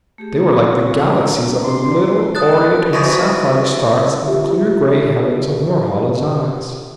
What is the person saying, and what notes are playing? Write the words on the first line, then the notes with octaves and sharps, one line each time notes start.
They were like the galaxies of little aureate and sapphire stars in the clear gray heavens of Norhala's eyes.
A3 G4 G#4
F#3 C4
D2 A#5
D5 C6
A2 A4 A5 D#6 F#6 A6
E2 G#2 B2
F4 G4 E5